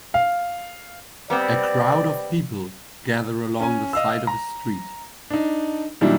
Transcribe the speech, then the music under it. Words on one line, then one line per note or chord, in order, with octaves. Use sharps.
A crowd of people gather along the side of a street.
F5
G3 B3 C4 D5
C#4 G#5
D#5 F5 E6
A#5
D4 D#4
A#2 D#3 F#3 G3 D4 E4